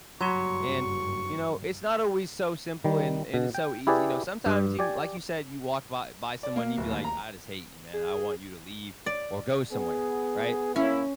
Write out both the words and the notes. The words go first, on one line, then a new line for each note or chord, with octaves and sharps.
and, you know, it's not always so simple and and it's so easy, you know, sometimes you, like you said, you walk by by someone, you'd be, like, "I just hate you, man. I want you to leave or go somewhere," right?
F#1 G2 F#3 F#4 C6 C#6
D#3 G3
B2
G5
E4 G4 G#4 B4 D5
G2
G4 D5 G#5
D5
A#3
D1
D#2
A#5
G#4
D5
B3 G#4
E2 A#3 C#4 E4